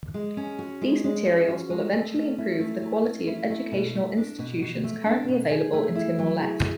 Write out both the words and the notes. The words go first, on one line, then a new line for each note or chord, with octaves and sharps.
These materials will eventually improve the quality of educational institutions currently available in Timor-Leste.
G#3
C#4
F#4
G#3
G#3
C#4
F#4
G#3
A3
C#4
E4
A3
A3
C#4
E4
A3
B2
A3
D4
B2
B2
A3
D4
B2
G#4
A3
E4
F#3
G#4